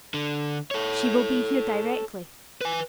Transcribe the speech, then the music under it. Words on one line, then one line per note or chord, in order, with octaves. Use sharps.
"She will be here directly."
D3
A4 C#5
B4 G#5